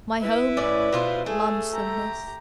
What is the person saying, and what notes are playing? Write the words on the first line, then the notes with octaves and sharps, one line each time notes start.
My HOME, lonesomeness!
E4 B4
A2 C#4 D5
B2 F4 C5
A3 G#4 A4
G4 A#5